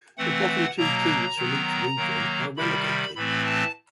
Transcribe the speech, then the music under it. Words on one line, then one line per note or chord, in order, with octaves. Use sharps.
The bottom two teams from each region are relegated.
E3 A3 C4 F#5
B2 F#3 A#3 A#5
D#3 F#3 B3
D#3 F#3 A#3
C3 D#3 G3 B5
A2 E3 A3 C4 B5
A5